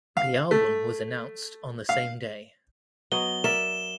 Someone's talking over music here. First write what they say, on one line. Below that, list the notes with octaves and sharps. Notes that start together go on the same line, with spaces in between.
The album was announced on the same day.
F5
A3
F5
F#3 B3 D#5 G7
A#4 D5 E5 E7